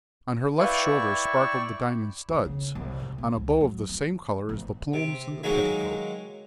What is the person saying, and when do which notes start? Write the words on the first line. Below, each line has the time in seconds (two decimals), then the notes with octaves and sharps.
On her left shoulder sparkled the diamond studs, on a bow of the same color as the plumes and the petticoat.
0.59 E4 B4 D5 E5 F5 G5 C#6
2.29 D#3
2.45 C#3
2.75 C2
3.00 C3
3.18 E3
3.37 C#2
3.61 F#3
3.89 E3
4.49 A1
4.94 C3
5.43 D#3 F#3 G#3 A#3